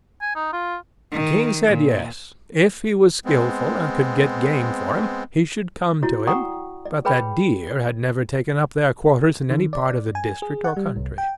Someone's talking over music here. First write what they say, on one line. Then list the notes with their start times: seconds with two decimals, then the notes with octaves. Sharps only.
The king said yes, if he was skilful and could get game for him, he should come to him, but that deer had never taken up their quarters in any part of the district or country.
0.21 G#5
0.35 D#4
0.53 F4
1.11 D#3
1.65 A#2
3.25 G#3 B3 C4
6.03 E4 F#4 C#5
6.27 D5 F#5 G5 A#5 C#6 D#6
6.86 D5
7.05 G#4 B4 C#5 G5 B5
9.50 D#3
9.73 D5
10.15 G#5
10.42 G#4
10.64 F#5
10.77 G3
10.96 C2
11.18 G5